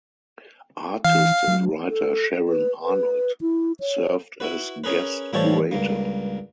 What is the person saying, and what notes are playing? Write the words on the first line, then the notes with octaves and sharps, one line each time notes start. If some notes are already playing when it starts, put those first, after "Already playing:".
Artist and writer Sharon Arnold served as Guest Curator.
E3 F5
F#3
A4
B4
B4
E4
C#5
E4 F#4 B4
C#4 G#4 A#4 B4
A2 E3 F3 G3 A4 C#5
C#2 G2 A#3